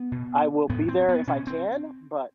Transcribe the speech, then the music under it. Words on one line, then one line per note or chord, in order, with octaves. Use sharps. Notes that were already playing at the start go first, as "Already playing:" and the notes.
I will be there if I can, but"
Already playing: B3
B2
A2 B3
C4
B3
B2 C#4
C4